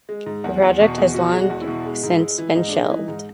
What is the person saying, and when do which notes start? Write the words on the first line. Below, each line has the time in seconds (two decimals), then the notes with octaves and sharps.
The project has long since been shelved.
0.09 G#3
0.26 G#2
0.44 E2
0.62 E2
0.80 B2
0.98 E2
1.14 B2 F#4
1.32 G#3
1.38 F#4
1.50 E2
1.62 E4
1.68 B2
1.85 G#3
2.03 G#2
2.20 G#3
2.38 E3
2.55 G#2 D#4
2.68 G#3 D4
2.81 D#4
2.91 E3
3.08 G#2